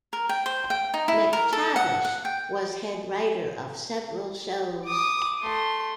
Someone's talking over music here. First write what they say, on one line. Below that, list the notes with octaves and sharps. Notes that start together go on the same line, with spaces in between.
McTavish was head writer of several shows.
A#4
G5
C5
G5
D#4
E4
A#4
A4
F#5
F#5
G5
D6 D#6
A3 C6